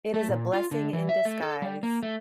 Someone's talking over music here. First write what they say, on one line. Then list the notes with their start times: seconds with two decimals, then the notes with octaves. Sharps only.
It is a blessing in disguise.
0.14 A3
0.29 A#2
0.53 F4
0.71 D3
0.93 E3
1.09 E5
1.25 A3
1.42 A4
1.62 G3
1.83 A#3
2.03 A3